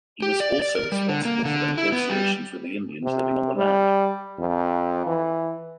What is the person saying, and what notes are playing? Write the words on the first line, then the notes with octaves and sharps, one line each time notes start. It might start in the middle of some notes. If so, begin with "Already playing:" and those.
He was also responsible for the negotiations with the Indians living on the land.
G4
D5
D5
A#4
G3
D3
A#3
D3
E4
B3
G3
C3
G3
F2
E3